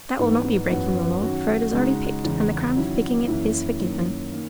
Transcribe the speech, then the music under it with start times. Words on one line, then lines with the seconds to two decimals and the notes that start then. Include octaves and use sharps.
"That will not be breaking the Law, for it is already picked, and the crime of picking it is forgiven."
0.19 G#2 E3 B3 D#4
0.70 F#2 E3 B3 F#4
1.22 D#3 F#3 C#4 F#4
1.73 C#3 G#3 D#4 F#4
2.25 E2 C#3 E3 G#3 D#4
2.76 D#3 F#3 C#4 E4
3.28 F#2 E3 A#3 E4
3.80 F#2 D#3 A#3 E4
4.32 D#3 A#3